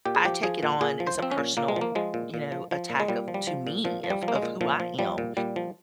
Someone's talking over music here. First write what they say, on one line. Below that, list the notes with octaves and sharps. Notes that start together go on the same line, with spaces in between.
I take it on as a personal, you know, attack of to me of of who I am
A#2 G4
G#4
F3 G4
F3 G#4
A#2
A#2 G#4
F3
C5
F3 C4
C#4
A#2
A#2 A#3
G#3
F3
A#3
F3 G#3
A#2
A#2
F3
F3
A#2
G#3
A#2 G3
F3
G3
F3
A#2
A#2 F3
F3
G3
F3
A#3
G#3
A#2
A#2 F3
F3
F3 G3
A#2
A#2 G3
F3